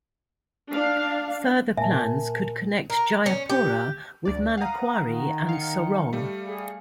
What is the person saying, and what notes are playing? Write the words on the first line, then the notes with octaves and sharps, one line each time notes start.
Further plans could connect Jayapura with Manokwari and Sorong.
D4 F5
A#2 A#4 E5 G#5 A5
A#4
C#4
G4
D2 D5
F5 F#5 A#5 D#6
D#3
F5 C#7
G3 A3
G#4